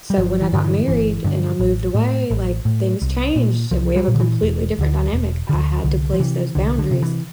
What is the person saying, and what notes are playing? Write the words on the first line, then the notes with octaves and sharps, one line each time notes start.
So, when I got married and I moved away, like, things changed and we have a completely different dynamic. I had to place those boundaries
G3
G1 F3
E3
G2 D3
E3
G1 E3
G2 D3
A1
A2
A1
A2
C2
A#2
C2 F3
G3
A#2
D3
E3
E1
D2 D3
E1
D2 D3
C2 D3
F3
C3 E3
C2 D3
D3
C3
E3